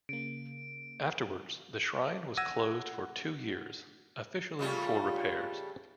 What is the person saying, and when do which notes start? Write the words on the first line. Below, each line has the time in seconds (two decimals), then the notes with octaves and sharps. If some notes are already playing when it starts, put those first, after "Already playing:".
Afterwards the shrine was closed for two years, officially for repairs.
0.09 C#3 A#3 D7
2.37 F#5 E6 G#6 A#6 D#7
4.59 C#3 G3 A3 F4